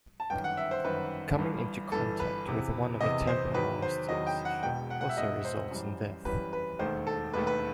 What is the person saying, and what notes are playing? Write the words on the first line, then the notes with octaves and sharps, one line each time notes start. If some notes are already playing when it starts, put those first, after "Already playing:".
Coming into contact with one of the temple masters also results in death.
A5
G1 F#2 D#3 G5
F#5
E5
C5
G1 F#2 D#3 B4
G1 G2 E3
G1 G2 E3 A4
B4
E2 C3 E3
E2 C3 E3 D#5
C5
E2 D#3 F#3 B4
C5
E2 D#3 F#3 D#5
G5
F#5
E1 E2 B2 G5
F#5
F#5
E5
E1 E2 B2 D#5
C5
F#2 E3 G3
F#2 E3 G3 B4
B4
E1 D#2 D#3 A3 C5
A4
E1 D#2 D#3 A3 B4
B4